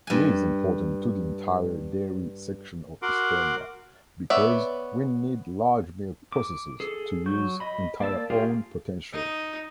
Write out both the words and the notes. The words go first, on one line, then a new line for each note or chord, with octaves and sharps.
It is important to the entire dairy section of Estonia, because we need large milk processors, to use entire own potential.
G2 G#5
F#4 A#4 F#5 C6 D6
B3 C#5 D5 E5
D6
G#4 A4
F#3 C#6 G6
D#5 B5
A#3 D5 A5 E6
A3 F4 G4 G#4 F5
D#4